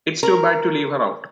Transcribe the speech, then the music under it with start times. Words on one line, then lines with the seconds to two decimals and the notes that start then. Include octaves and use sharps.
It's too bad to leave her out.
0.23 A#4